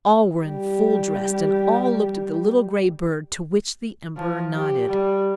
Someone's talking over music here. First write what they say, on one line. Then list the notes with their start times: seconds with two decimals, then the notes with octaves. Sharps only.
All were in full dress, and all looked at the little gray bird, to which the Emperor nodded.
0.43 G3 G4
4.17 F3
4.54 G4
4.88 G3